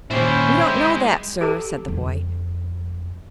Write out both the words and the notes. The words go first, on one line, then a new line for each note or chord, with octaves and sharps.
"We don't know that, sir," said the boy.
A#2 D#3 C#4 E4 G4 C5
G#3
G4 A4 A5
F2